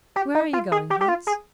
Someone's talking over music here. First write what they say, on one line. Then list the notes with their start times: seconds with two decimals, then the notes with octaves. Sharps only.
'Where are you going, Hans?'
0.16 G4
0.35 D#4
0.53 F4
0.72 G#4
0.90 G4
1.01 G4
1.08 F4
1.27 G#4